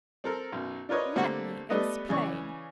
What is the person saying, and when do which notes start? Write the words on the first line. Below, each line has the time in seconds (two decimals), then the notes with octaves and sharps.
Let me explain.
0.24 C4 A4 A#4
0.52 B1 F#2
0.89 D4 F4 A#4 B4 C#5 D#5
1.16 D3 G3 A3 A#3 C4 A4
1.70 G3 A3 B3 D4 B4 D#5
2.09 C#3 E3 C#5 D5 C#6